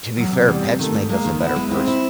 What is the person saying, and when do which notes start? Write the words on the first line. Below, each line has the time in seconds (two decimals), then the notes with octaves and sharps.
To be fair, pets make us a better person.
0.17 E2 F#3
0.32 C3
0.48 E2 G3
0.64 C3
0.79 D#3 A3
0.95 G#2
1.09 G#3 A#3
1.25 D#3
1.40 B3 E4
1.56 G#3
1.71 C4 E4
1.88 E4